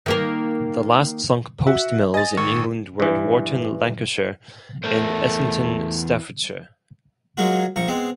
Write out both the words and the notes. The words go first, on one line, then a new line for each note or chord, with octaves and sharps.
The last sunk post mills in England were at Warton, Lancashire, and Essington, Staffordshire.
D#3 A#3 A#4
F#4 E5
D#5 G#5 A6
G#1 C#6
G2 E3
E2 A3 A#4 C5
F#3 G#3 A#3 F4 F#4
A#1 F3 A#5 C#6
G#3 B3 C4